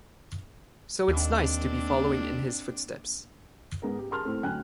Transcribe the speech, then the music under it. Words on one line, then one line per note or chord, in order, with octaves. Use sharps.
So it's nice to be following in his footsteps.
D#2 A#3 C4 D4
G#2 B3 G#4 A#4
G4
G#4 A#4 A5 C6 F6
A2 C4 A4
D2 F#3 G5 G#5 F#6